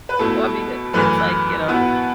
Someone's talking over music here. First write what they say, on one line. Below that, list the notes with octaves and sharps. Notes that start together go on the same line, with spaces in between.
I mean, it it's like, you know
B4
B2 A3 E4 A4
F#2 E3 A3 B4
B2 B3 E4 B4